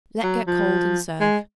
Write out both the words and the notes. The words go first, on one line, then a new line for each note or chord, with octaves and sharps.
Let get cold and serve.
F#3
F3
G#3